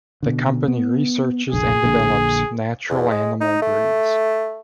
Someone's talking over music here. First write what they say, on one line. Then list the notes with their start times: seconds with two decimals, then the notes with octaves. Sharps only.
The company researches and develops natural animal breeds.
0.23 B2 D3
0.68 B3
1.53 F1 A#1 D3 G#4
1.83 A#1 A#2 D3
2.90 E2
3.11 G#3
3.40 D#4
3.62 A3